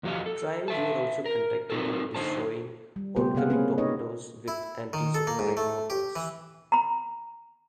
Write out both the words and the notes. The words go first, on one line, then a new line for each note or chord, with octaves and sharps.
Trials were also conducted on destroying oncoming torpedoes with anti-submarine mortars.
E2 F3 F#4 G4 D#5 F5
A4
B4 E5 A5
A#4
C4 D#4 E4 F#4 A4 A#4
D3 D#4 F4 C5 A5
G3
C#3 A3 B3 G4 C5
C3 A#3 B3 G#4 F5 F#5
A#3 C4 C#4 G#4 B4
D#4 B4 C#5 D#5
E4
D#3
A4
A#3
G#2
A3
G4
E3
A#5 B5